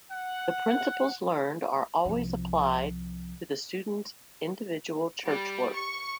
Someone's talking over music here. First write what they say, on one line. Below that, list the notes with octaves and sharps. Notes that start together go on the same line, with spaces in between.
The principles learned are always applied to the student's individual church work.
F#5
C2 F3
G3
C#6